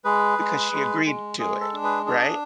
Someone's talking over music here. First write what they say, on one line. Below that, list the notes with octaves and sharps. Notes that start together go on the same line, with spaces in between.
because she agreed to it, right?
G#3 G#4 B4
G#3
G#3
G#3
G#3 G#4
A4
D4
G#4 B4
D4 G#4